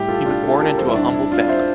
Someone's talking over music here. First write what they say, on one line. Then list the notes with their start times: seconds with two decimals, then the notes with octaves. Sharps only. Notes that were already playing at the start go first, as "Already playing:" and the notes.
He was born into a humble family.
Already playing: A2 G3 E4 G4
0.08 F4 A4
0.26 D4 F4
0.43 F4 A4
0.60 G4 A#4
0.78 F2 E3 G3 A4 C5
0.88 E4
0.95 D4
1.14 E4
1.31 D4 F4
1.48 C5 E5